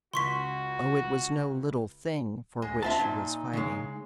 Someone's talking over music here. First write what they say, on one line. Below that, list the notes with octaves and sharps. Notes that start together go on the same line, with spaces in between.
Oh, it was no little thing for which she was fighting!
C#2 F#4 C6 C#6 B6
D2 G#3
C4 F4 E5 A5
A#2 D#4
C#3 G#3